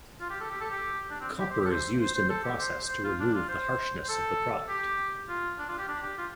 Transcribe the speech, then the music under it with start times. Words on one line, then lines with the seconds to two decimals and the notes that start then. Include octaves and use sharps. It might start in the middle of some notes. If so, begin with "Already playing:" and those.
Copper is used in the process to remove the harshness of the product.
0.21 F4
0.30 G4
0.41 A4
0.50 G4
0.61 A4
0.71 G4
1.10 D4
1.21 C4
1.40 G4
1.50 C5
1.60 G4
1.65 A4
1.70 C5
2.00 C5
2.15 C5
2.30 A4
2.44 G4
2.60 C5
2.89 C5
3.04 F4
3.20 D4
3.34 F4
3.49 C5
4.04 C5
4.09 A4
4.69 G4
5.29 F4
5.59 D4
5.69 F4
5.78 G4
5.89 D4
6.03 G4
6.18 F4